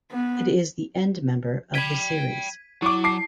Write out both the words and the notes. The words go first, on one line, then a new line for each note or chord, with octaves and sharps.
It is the endmember of the series.
B3
G5 B5 G#6 B6 D#7
F#3 E4 C#6 D6
A5 D6 C7